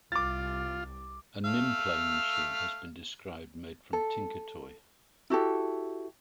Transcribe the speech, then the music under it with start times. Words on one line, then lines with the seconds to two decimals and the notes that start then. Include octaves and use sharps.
A Nim Playing Machine has been described made from TinkerToy.
0.12 C2 F4 D6 A6
1.44 A3 F5 E6
3.93 A4
5.30 E4 F#4 G4 A4